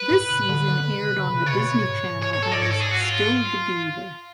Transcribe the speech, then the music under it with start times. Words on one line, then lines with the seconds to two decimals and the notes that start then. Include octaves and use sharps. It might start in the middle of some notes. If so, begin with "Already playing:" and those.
This season aired on The Disney Channel as "Still the Beaver".
Already playing: B4
0.11 A2
0.30 C#3
0.49 D3
0.68 D3
0.87 C#3
1.08 B2
1.19 C#3
1.30 B2
1.41 C#3 C#5
1.53 B2
1.85 G#2
1.96 A2
2.08 G#2
2.22 C#5
2.33 C#5
2.43 A4
2.52 D5
2.62 G#2 C#5
2.71 A4
2.81 G#4
2.91 F#4
3.01 F4